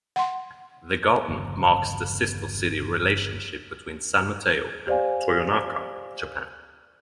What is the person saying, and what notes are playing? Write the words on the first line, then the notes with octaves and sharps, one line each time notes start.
The garden marks the sister-city relationship between San Mateo and Toyonaka, Japan.
F#5 C6
G1 E2 C#3 F#3
G4 C5 D5 F5 G#5